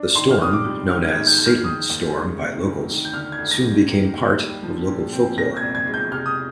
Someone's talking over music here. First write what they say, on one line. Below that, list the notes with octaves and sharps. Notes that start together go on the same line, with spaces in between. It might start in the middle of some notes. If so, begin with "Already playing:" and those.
The storm, known as "Satan's Storm" by locals, soon became part of local folklore.
Already playing: D4
D#3 C6
F6
C3 D#6
D6
G3
D#3 F6
G#6
G#2
G6
G#3 G6
F6
D#3 D#6
D#2
G#3
C3
D2
D#3
G6
D3 F6
G#6
D2
A#6
G#3
D#3
D#2
G3
F3
A#2
C4
A#2 A#6
G#6
C2
G#6
G#3
G6
C3 F6
D#6